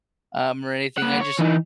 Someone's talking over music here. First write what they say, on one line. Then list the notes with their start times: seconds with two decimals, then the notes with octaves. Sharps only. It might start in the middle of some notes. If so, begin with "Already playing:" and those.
um, or anything, I just
0.98 A#3 F#5
1.21 C#5
1.39 E3 D#4